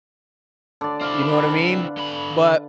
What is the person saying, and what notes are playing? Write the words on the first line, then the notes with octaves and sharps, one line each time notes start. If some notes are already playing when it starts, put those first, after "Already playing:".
You know what I mean? But
D3 D5
C4 E4 F5
B4
D3 B5